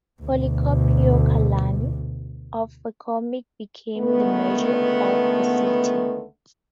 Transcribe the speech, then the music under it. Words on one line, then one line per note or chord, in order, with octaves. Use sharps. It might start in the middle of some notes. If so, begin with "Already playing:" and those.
Policarpio Calani of Fercomin became the mayor of the city.
D2 B2
C#2 D3 D#3 A3 B3